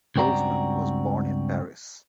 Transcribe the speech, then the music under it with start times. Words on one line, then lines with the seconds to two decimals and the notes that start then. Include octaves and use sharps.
Holzman was born in Paris.
0.16 C#2 G2 C4 F#4 D5 A#5